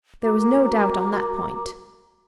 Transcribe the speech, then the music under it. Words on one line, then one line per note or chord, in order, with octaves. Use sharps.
There was no doubt on that point.
F#4 A#4 A#5 D6